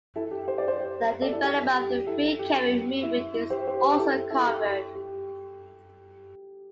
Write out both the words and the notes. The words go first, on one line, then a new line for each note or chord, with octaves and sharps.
The development of the Free Kevin movement is also covered.
E4 A4
G4
C5
D5
G4 C5
A4 D5
E4 A4
G4
G4
G4
G4
E4 A4
G4
G4
E4
E4
G4 C5
G4 C5
G4 C5
E4 A4
E4 A4
G4
G4
G4